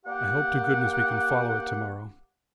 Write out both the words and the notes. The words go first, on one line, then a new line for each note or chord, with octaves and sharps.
I hope to goodness we can follow it to-morrow.
A#3 G4 F#5